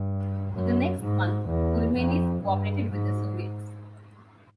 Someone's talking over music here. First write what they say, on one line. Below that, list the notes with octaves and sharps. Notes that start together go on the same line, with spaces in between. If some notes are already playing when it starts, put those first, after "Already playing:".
For the next month Ulmanis cooperated with the Soviets.
Already playing: G2
F#2
G#2
E2
F2
G2
G#2